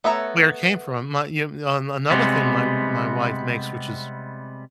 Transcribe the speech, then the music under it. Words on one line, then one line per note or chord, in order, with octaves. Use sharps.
Where it came from. My you on another thing my w my wife makes, which is
A3 B3 C#5 E5 A#5
C3 G3 G#3 B3